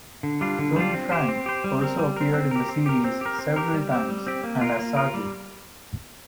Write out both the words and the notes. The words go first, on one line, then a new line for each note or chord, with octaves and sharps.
Tony Franke also appeared in the series several times and as Sgt.
D3
G3 D4 F4
D3
G3 D4 F4
C4
G4 C5
C4
G4 C5
G3
C4 A#4
G3
C4 A#4
C4
G4 A#4
C4
G4 A#4
C4
G4 A#4
C4
G4 A#4
G3
C4 G4
G3
C4 G4
A#3
F4 A#4
A#3
F4 A#4
G3